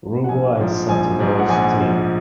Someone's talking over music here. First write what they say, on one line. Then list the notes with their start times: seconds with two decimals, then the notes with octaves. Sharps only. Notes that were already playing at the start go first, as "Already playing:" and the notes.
Uruguay sent a youth team.
0.24 F#5
0.29 A#1 G#5
0.60 G#2 F3
0.89 A#1 G#5
1.19 G#2 F3
1.39 F#5
1.49 A#1 G#5
1.80 G#2 F3